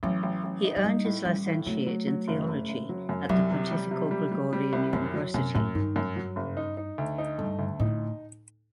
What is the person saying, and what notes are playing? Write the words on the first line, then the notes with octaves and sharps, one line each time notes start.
He earned his licenciate in theology at the Pontifical Gregorian University.
A1 F#3
A1
A1
D#4
F#3
G3 D#4
A2
A1 G3
A2
F#3 A3
F#3
F#3
F#1
F#1
F#1
F#3
F#2
C2 F#3
C3
G3
C3
G3
G3
G3
C2
F#2 D#3
F#3
F#2 C3
F#2 A2
G2 D#3
F#2
F#3
F#1
D#4
D#4
D2
D#4
G2 A3
D2
A2 D#4